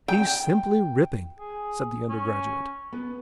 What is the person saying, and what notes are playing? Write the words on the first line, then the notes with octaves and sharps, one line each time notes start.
"He's simply ripping!" said the undergraduate.
G5
G#4
C#4
B3